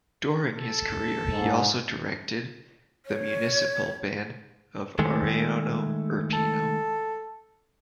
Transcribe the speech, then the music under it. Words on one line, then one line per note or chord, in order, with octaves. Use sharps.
During his career he also directed the municipal band of Ariano Irpino.
A4
G#2
C#5
D#3 G#3 A3
A4